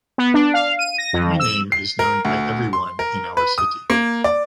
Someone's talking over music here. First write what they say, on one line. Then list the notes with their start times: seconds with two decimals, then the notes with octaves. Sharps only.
My name is known by everyone in our city.
0.18 B3
0.34 D4
0.54 F5
0.79 D#7
0.98 A#6
1.13 F2
1.40 E6
1.72 C7
1.99 A#4
2.25 D2
2.73 C6
2.99 A#4
3.37 B4
3.58 D#6
3.90 A#3
4.24 D5